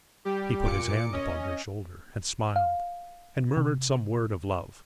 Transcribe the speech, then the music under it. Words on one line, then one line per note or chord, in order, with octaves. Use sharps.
He put his hand upon her shoulder, and smiled, and murmured some word of love.
G3 G4
A#2 D6 C#7
C#4 D#5
F5
C3